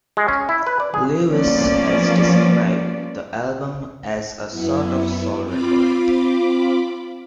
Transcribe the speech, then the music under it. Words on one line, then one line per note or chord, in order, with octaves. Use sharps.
Lewis has described the album as a "sort of soul record".
G#3
C#4
E4
B4
D5
G#4
F3 G3 A#3 B3 C#4 D5
F#2 B3 E4
C4 F4 B5 D6